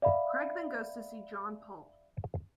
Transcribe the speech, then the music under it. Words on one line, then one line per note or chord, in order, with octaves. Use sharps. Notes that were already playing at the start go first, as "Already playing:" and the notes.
Craig then goes to see John Paul.
D5 E5 F5 B5